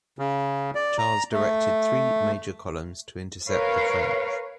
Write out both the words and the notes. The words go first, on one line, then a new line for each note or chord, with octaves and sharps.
Charles directed three major columns to intercept the French.
C#3
D5
A#5
A3
A#4 B4 C#5 F5